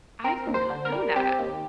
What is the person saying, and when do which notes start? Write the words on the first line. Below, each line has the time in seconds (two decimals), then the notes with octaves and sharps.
I did not know that.
0.24 C4 A#4
0.47 D#2
0.54 C5
0.70 D3
0.85 A#4
0.92 G3
1.16 C4 G4
1.39 D#2